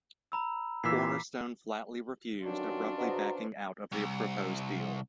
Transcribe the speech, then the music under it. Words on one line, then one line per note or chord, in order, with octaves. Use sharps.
Cornerstone flatly refused, abruptly backing out of the proposed deal.
A#5 B5 E6
A#2 E3 D6 E6 B6 C7
G2 D#3 F#3 C#4 D4 F4
C#3 F#4 B4 C5 D#5 A#5
C2